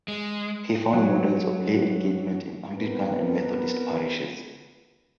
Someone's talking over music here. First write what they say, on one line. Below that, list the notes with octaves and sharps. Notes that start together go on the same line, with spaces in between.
He found models of lay engagement in Anglican and Methodist parishes.
G#3
F#3
B3 C4 A#4 B4